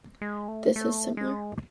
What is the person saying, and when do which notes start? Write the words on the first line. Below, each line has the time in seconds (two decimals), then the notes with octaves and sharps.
This is similar.
0.22 G#3
0.48 A3
0.76 A3
1.17 G#3